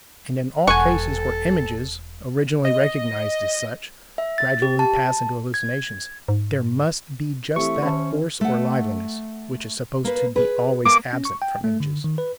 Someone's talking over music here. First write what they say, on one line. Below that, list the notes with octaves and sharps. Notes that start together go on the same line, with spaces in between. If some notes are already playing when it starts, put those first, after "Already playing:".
And in all cases where images, originally recognized as such, gradually pass into hallucinations, there must be just that "force or liveliness" which is supposed to be always absent from images.
E1 A4 F#5 G#5 C#6
D#5
E5
A6
G4
A5
G#6
G#2
E3 A3 C4 G4 E5 C#6
D#3 C#4 C5 E5 A5
A3 F#5
A#3 B4
G#4 B4
A#3 D6
C#4
C#6
G5
A3
D3
D#3
B4